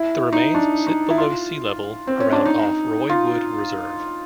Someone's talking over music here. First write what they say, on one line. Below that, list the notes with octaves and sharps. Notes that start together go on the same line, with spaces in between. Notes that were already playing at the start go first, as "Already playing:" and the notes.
The remains sit below sea level, around off Roy Wood Reserve.
Already playing: E4
D#4
D4
D#4
E4
F4
C4
C#4
D4
D#4
F4